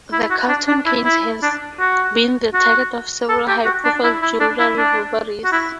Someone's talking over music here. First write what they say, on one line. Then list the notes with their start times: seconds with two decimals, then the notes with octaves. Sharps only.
The Carlton Cannes has been the target of several high-profile jewelry robberies.
0.12 E4
0.30 F#4
0.49 D4
0.68 D4
0.86 E4
1.05 E4
1.43 D4
1.80 F#4
2.54 F#4
3.29 A4
3.48 G4
3.65 F#4
3.85 D4
4.04 E4
4.22 E4
4.40 D4
4.59 E4
4.78 D4
5.44 F#4
5.52 E4